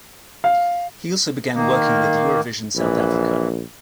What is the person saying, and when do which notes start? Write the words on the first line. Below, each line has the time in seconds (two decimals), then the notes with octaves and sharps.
He also began working with Eurovision South Africa.
0.44 F5
1.54 D#3 A#3
2.75 A#1 E3